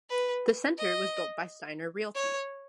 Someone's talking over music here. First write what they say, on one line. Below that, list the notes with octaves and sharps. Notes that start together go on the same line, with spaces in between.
The center was built by Steiner Realty.
B4
D#5
C#5